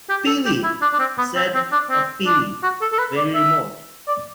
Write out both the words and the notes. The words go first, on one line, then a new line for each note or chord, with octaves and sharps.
"Peewit," said a peewit, very remote.
G4
A4
G4
E4
D4
D4
C4
B3
C4
C4
D4
C4
D4
F#4
A4
A4
B4
D5
E5
D5